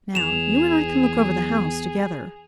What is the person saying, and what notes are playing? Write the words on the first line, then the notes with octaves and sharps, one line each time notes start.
"Now, you and I can look over the house together."
E2 G#4 E7 F7